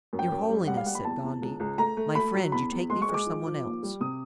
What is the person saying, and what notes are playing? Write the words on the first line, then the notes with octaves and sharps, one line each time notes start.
"Your holiness!" said Gondy; "my friend, you take me for some one else."
F#2
G5
F#2
G3
G3 F#5
F5
G3 F#5
B5
E2 A5
E2
C#2
C#2
A3 A#5
A3
A3 B5
F#3
E2 B5
E2
G#3 C6
C#6
G#3
D6
F3
F3
D#2
G3
C3 D#6